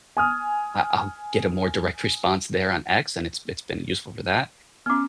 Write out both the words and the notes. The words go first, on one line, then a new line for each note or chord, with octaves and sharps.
I I'll get a more direct response there on X, and it's it's been useful for that.
G#5 D#6 F6
B3 C#4 D6 F6